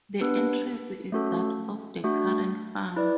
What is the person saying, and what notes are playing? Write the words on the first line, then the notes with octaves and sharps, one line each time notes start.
The entrance is that of the current farm.
B3 D4 G4 B4
A3 C#4 F#4 A4
A3 D4 F#4
E4 B4 D5